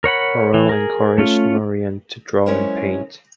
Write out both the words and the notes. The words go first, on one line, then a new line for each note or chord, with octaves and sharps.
Marrel encouraged Merian to draw and paint.
A#4 C#5 F#5 B5
E3
G#4 A#4
A3 C#4 F4
F#3 G#3 C#4 E4 A#4 C5